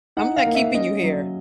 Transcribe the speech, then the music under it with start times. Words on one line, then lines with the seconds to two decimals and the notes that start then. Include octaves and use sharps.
I'm not keeping you here.
0.17 D#4 F#5
0.37 F5
0.46 A#3
0.55 E5
0.74 C#4 D#5
1.03 F#3